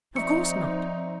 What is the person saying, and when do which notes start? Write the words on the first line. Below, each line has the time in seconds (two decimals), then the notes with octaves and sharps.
Of course not!
0.16 F3 C4 D#4 D5 E5 C#6 C#7